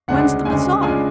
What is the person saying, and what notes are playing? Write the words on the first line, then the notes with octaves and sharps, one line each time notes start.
'When's the bazaar?'
D2 C#3 G#3 D4 F#5
D2 C#3 G#3 D4 G#5
C#3 G#3 D4 F4 G#5